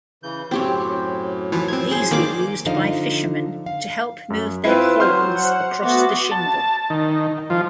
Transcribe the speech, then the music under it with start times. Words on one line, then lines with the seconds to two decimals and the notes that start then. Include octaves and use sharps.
These were used by fishermen to help move their hauls across the shingle.
0.23 C#3 E3 G6
0.51 F#2 A2 F#3 C4 G4 C#5
1.52 E3 F3
1.68 C4 G#6
1.91 G#4 C5
2.11 D#3 A#3 D5 D6
2.66 D3 F3 D#4 C5 D#5 F5
3.66 F5
4.30 F#2
4.65 C4 E4 F4 B4
5.00 F#3 C5 C6 F6 G6
5.34 F#5
5.83 A3 B3 F#4 D6
6.31 A5
6.90 D#3
7.50 F3